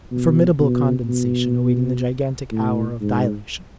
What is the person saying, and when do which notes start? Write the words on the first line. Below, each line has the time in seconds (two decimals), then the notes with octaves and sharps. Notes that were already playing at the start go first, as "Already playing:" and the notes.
A formidable condensation, awaiting the gigantic hour of dilation!
0.11 B2
0.59 B2
1.08 B2
2.52 A2
3.00 G#2